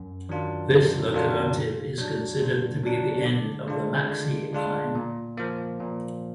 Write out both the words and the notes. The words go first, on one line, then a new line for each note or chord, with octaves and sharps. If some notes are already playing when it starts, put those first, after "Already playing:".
This locomotive is considered to be the end of the Maxi line.
Already playing: F#2
D#3 F#3 D4 F4
F#2
D#3 F#3 D4 F4
A#2
F#3 D4
A#2
F#3 D4
D3
G#3 D4 F4
D3
G#3 D4 F4
A#2
F3 A#3
A#2